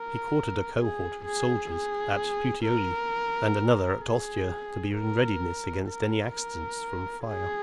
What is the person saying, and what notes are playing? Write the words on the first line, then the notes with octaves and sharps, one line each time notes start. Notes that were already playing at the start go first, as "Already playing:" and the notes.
He quartered a cohort of soldiers at Puteoli, and another at Ostia, to be in readiness against any accidents from fire.
Already playing: A#4
G#4
G#4
G#4
A#4
G#4
A#4
A#4
A#4
G#4